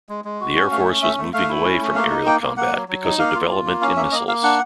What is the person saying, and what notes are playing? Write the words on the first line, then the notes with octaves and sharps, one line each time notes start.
The Air Force was moving away from aerial combat because of development in missiles.
G#3
G#3
F#4
C#4
A3 F5
C#4
A3 E5
A3
A3 F5
E4
C#4
A3
A#3 F5
D#4
A#3 G5
A#3
A#3 F#5
F#3
F#3
D#4
A#3 F5
F4
F4
A#3
C#4 F5
A#3 E5
A#3 D#5
A#3 F5
D4 F#5